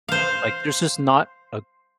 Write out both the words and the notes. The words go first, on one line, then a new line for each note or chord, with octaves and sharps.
Like there's just not a
C5 F5